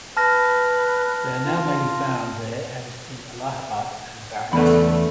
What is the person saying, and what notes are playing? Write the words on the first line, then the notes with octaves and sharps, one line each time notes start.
They are now mainly found there and in Allahabad and Varanasi.
B4 A5 F6 A#6
F4
E2 C#3 A3 B3 B4 D5 B5